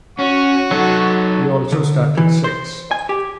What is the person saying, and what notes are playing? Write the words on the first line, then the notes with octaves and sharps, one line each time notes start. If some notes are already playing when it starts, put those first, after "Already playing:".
He also started six.
C#4 F#5 C#6
F#3 D#4 A4
D3
E3
C5
G#5
G4